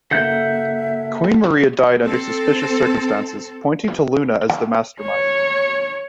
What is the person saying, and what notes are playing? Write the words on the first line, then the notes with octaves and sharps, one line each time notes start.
Queen Maria died under suspicious circumstances, pointing to Luna as the mastermind.
C#3 A#3 A4 E5 F#5 G6
C4 A4
C#5